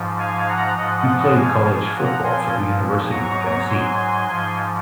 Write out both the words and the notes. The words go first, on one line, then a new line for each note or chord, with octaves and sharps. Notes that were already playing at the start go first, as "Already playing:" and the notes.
He played college football for the University of Tennessee.
Already playing: G#2 F3
F5 G#5
F#5 A#5
G#2 F3 D#5 F#5
F5 G#5
F5 G#5
A#2 F3 F#5 A#5
G#5 C6
G#2 F#3 A#5 C#6
G#5 C6
G#2 F3 G#5 C6